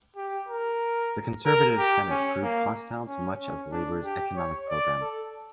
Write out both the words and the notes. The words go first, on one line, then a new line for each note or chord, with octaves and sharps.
The conservative Senate proved hostile to much of Labor's economic program.
G4
A#4
A#4
G4
C#4
A#3
C#4
C#4
D4
G4
C#5
D5
A4